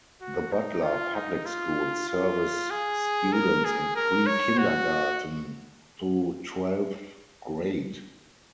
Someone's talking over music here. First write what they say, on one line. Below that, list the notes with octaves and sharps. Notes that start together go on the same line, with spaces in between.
The Butler Public Schools serves students in pre-Kindergarten through twelfth grade.
F#4
D#4
F4
D#4
F4
F4
G#4
A#4
G#4
A#4
C#5
F#4